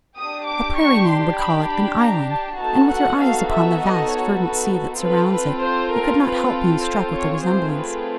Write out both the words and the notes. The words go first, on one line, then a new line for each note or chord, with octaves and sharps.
A prairie-man would call it an "island," and with your eyes upon the vast verdant sea that surrounds it, you could not help being struck with the resemblance.
D4 G4 D#6
D6
C#6
C6
B5
B5
A#5
A5
B3 D#4 F#4 A4 A5
F#5
F5
E5
D#5
C#5
B4
C4 F4 A4 B4
B4
C5
A#4
B4
C5
C#5
A3 C4 F4 G#4 C5
B4